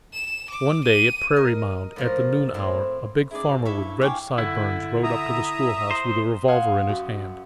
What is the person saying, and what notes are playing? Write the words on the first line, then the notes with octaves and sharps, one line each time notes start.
One day, at Prairie Mound, at the noon hour a big farmer with red sideburns rode up to the schoolhouse with a revolver in his hand.
E7
D6
D#7
A#4 D#5
A2 F3 A#4
A2 C4 E4
C#4 D#4 E4 G#4 D5
G#2 B2
G2 E4 A4 C#5 E5
C#5 F5 G5 G#5 D6
D3 E4
E5 A#5 D#6
C5
F5 F#5 G#5 C6 D#6 F6
F#2